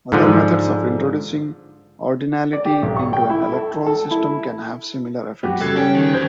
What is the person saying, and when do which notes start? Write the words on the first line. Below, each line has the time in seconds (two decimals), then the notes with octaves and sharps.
Other methods of introducing ordinality into an electoral system can have similar effects.
0.12 G#2 D3 F3
2.53 D5
2.65 G4
2.83 B1
2.96 C#6
3.13 G5
3.30 E4
3.53 A4
3.86 A4
4.11 E4
5.43 F#2 B3 F#4 G4
5.61 C#3 G3 A4 F#6 G#6 C7
5.76 C#4 G5
5.95 D#3
6.13 G2 C#4 C5 G6 G#6